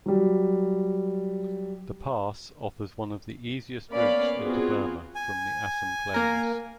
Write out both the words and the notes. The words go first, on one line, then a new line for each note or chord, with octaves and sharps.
The pass offers one of the easiest routes into Burma from the Assam plains.
F#3 G3
A#3 B3 C#4 D5 F5 B5
B3 C4 F4 F#4 G#4
G#5
A#3 A#4